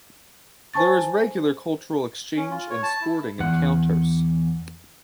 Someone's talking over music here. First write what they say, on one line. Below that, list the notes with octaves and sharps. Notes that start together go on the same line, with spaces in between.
There is regular cultural exchange and sporting encounters.
C5 G#5 A5 C#6 A6
C#4
F4
C#5
A5
E4
E2 F#5